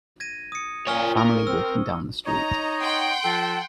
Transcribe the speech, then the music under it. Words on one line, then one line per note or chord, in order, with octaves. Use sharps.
A family walking down the street.
G#6 A#6 D#7
D#6 C#7
A#2 C#5 G5 G#5 C#6 F6 G7
A#4
C4 E6
D#4 C#5 D#5 A#5
F#5 G5 C6
F3 A4 A5